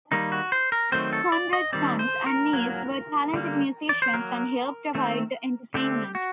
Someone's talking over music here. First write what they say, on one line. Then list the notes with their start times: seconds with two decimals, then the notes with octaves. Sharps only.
Conrad's sons and niece were talented musicians and helped provide the entertainment.
0.12 D#3 G3 A#3 D#4
0.32 F#4
0.52 C5
0.72 A#4
0.92 D#3 F#3 A3 C4 C5
1.13 A4
1.32 D5
1.53 D#5
1.73 D#3 G3 C4 D5
1.99 C5
2.26 A#4
2.53 F#3 A#3
3.34 D3 G3 A#3
3.89 D5
4.02 C5
4.14 F#3 A#3 A#4
4.95 D#3 A3 C4
5.74 D3 A3 C4 G4
6.15 F#4